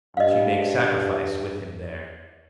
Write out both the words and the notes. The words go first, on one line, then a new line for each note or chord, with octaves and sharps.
She makes sacrifice with him there.
G2 D#5 F5